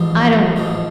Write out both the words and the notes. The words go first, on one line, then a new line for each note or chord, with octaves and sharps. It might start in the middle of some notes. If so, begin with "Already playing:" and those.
'I don't know.
Already playing: A1 G#2 F3
A1 G#2 F3